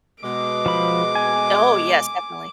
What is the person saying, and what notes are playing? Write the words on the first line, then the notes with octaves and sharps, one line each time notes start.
Oh, yes. Definitely.
B2 G#3 D6
F3 B5
G#5